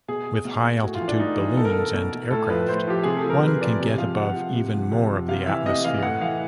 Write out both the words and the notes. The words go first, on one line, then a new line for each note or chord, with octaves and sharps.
With high-altitude balloons and aircraft, one can get above even more of the atmosphere.
B2 G#4
B2
A2 F#4
F4
E3
D4
A2 D#4
E3
B2 A4
A#4
A4
B2
A2 A4
F3 B4
A2 C5
F3 G4
C3 G#4
A4
F3
A#4
C3 B4
F3 D5
C3
F3 F5
C3 F#5
F3
C3
F3
C3
F3
C3 F5
E3 E5
C3 D#5
E3 F5
A2 F#5
E3 F5